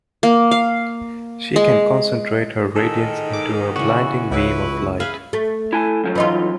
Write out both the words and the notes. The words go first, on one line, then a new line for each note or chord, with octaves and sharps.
She can concentrate her radiance into a blinding beam of light.
A#3
F5
G#3
G#2 D#3 A4
D6
C#3 E3 F#4
C#2 E4 B4
G#4 B4 E5 F5
A3
E4 G#5 A5
F#2 F3 F#3
E3 D#4 F4